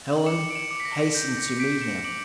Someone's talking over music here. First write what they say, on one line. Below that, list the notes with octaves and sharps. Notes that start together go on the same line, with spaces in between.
Helen hastened to meet him.
F#7
D6 C#7 E7
D7
C#7 E7
D6
B6
A#6
G6 A#6
A#6 C#7
G6 B6 D7
C#7 E7
D6 D7 F#7